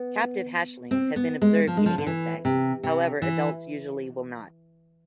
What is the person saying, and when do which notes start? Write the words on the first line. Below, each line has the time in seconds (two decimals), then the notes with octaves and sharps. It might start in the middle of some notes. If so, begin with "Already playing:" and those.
Captive hatchlings have been observed eating insects; however, adults usually will not.
Already playing: B3
0.91 C4
1.16 B3
1.42 G#3
1.67 F3
1.77 G#3
1.86 F3
1.98 D3
2.07 E3
2.45 C3
2.83 C3
3.22 E3